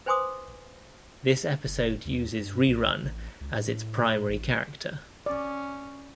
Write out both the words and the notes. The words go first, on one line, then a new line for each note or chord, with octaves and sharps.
This episode uses Rerun as its primary character.
B4 C5 G#5 C6 D6 D#6
F#1
D#2
G2
B1
A1
C#2
A2
A1
C#4 D5